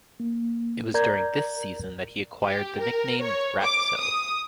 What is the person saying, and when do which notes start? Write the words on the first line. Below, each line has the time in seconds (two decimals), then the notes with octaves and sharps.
It was during this season that he acquired the nickname "Ratso".
0.20 A#3
0.94 A#4 D5 A#5 G6 G#6
2.44 G4
2.80 A#4
3.21 C#5
3.62 D6
3.98 D#6